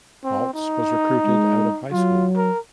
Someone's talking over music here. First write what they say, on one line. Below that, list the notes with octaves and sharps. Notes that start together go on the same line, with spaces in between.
Maltz was recruited out of high school.
C4
D#4
G#3
F#3 F4
A#4